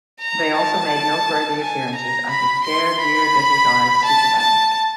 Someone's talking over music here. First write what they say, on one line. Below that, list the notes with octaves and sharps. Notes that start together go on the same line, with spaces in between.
They also made noteworthy appearances as The Scared Weird Little Guys Superband.
A#5
A5
G#5
A#5
B5
C6
B5
A5
A5